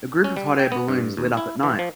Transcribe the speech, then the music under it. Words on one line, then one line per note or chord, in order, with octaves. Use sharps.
A group of hot air balloons lit up at night.
C#4
G3
G5
B3
G2
D#2
E4
E3
F3